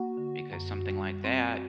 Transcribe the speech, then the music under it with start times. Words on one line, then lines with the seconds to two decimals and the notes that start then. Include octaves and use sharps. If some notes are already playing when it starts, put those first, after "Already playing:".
because something like that.
Already playing: A#3 F#4
0.17 D3
0.53 F#2
0.89 G3
1.24 C4